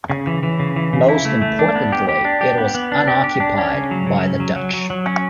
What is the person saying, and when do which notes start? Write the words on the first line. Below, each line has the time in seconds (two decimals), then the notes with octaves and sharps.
Most importantly, it was unoccupied by the Dutch.
0.10 C#3
0.27 E3
0.43 E3
0.60 C#3
0.76 E3
0.93 C#3
1.09 E4
1.25 A3
1.42 A3
1.59 D4
1.75 B3
1.92 G4
2.09 G4
2.25 D4
2.41 G4
2.58 B3
2.75 B3
2.92 D4
3.08 G4
3.24 G4
3.40 D4
3.58 C#4
3.74 C#3
3.91 F#3
4.07 C#3
4.23 C#4
4.40 F#3
4.56 F#3
4.74 F#3
4.90 F#3
5.06 C#4